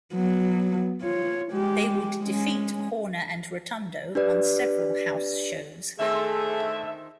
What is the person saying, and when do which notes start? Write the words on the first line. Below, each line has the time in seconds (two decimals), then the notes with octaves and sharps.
They would defeat Horner and Rotundo on several house shows.
0.14 F#3 B3
1.02 F4 C#5
1.52 G#3 G4
2.20 G#3 C#4
4.15 D4 G4 B4 D5
5.99 D3 D#3 A3 C4 G#4 A4 E5